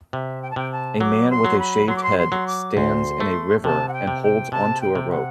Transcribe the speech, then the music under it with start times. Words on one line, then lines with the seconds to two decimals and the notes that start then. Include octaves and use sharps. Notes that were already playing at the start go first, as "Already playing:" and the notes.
A man with a shaved head stands in a river and holds onto a rope.
0.13 C3 E5
0.42 G5
0.50 A5
0.56 C3 G5
0.72 A5
1.01 F#3 D6
1.30 C6
1.45 F#3
1.59 B5
1.88 F#3 C6
1.96 D6
2.03 C6
2.18 C6
2.32 F#3
2.46 D6
2.76 D2 C6
3.20 A3
3.64 C3 A5
3.88 F#5
3.93 G5
4.07 C3
4.22 G5
4.52 C3 A5
4.81 G5
4.95 C3
5.10 F#5